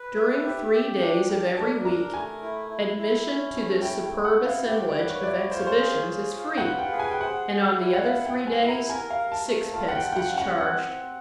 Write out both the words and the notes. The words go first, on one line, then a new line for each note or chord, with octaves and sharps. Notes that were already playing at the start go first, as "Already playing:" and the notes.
During three days of every week admission to this superb assemblage of exhibitions is free, and on the other three days sixpence is charged.
Already playing: B4
E5
G4
G4
D4
A#4 G5
D4 A5
A#4 A#5
A3 G#5
E4
E4
E4
C#4
A3
E4 G5
G5
E4
F#5
E4
F5
G4 E5
D5
B4
C#5
E4 D5
C#5
F4 C5
C#5
C5
G#4
F4
F4
F#5
B4
G5
G#4
G#5
G5
C5 F#5
G#4
E4
F#5
E4 F5
G5
C4
G#5
E4
A#5
A#4 G#5
F5
A#4
A5
A3
F4 A5
F#5
G5
F4
G5
F#5
C#4
F#5
C4 F#5
C4